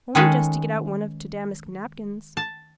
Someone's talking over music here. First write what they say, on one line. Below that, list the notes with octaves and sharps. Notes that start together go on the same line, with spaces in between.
'Only just to get out one of t' damask napkins.'
D#3 G#3 C#4 G#4 A4 B4
A5